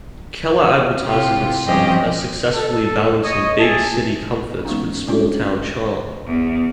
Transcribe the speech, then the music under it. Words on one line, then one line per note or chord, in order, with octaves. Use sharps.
Keller advertises itself as successfully balancing big-city comforts with small-town charm.
C3 E4 F4 G4
G2 F3 C4 C#4 G4 D#5
A4
C#5 D#5
G#4 E5 A5
E3 G#3 A#3 B3 C#4 D#4
G3 G#3 C#4 D4 F4 F#4
E2